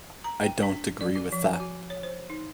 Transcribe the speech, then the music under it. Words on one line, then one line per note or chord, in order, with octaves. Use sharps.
I don't agree with tha.
A#5
G5
D4
D5
F#4
F3
G#5
F#4
C#5
C5
D#4